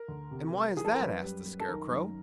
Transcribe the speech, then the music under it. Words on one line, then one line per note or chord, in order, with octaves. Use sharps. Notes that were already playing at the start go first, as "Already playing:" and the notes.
"And why is that?" asked the Scarecrow.
Already playing: A#4
D2
C3
G3
E3 G#4
A4
A#4
F#2 B4
G3
F#2
A4
D#3 A#4
F#2